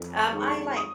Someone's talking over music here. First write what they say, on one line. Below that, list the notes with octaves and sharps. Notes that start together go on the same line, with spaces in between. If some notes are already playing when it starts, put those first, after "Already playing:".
Um, I like
Already playing: F2
C#6
D#3 G#3
C#6
D#6